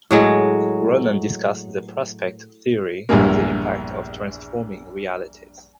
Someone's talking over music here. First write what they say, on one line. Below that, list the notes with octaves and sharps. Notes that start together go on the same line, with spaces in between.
Ronen discussed the Prospect theory and the impact of transforming realities.
A2 F#3 G#3
A#1 E2 G2 G3 G#3 A#3